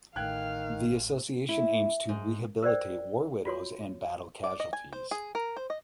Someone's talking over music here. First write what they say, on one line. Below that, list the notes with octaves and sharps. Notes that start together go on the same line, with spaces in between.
The association aims to rehabilitate war widows and battle casualties.
A1 A2 D#3 F5 G5 F#6 G#6
E4
G#2
A#4 C5 D5 G5
F4 F#4 C#5 C6
D5
D#5
G#5
C5
G#4
A#4
C5
D#5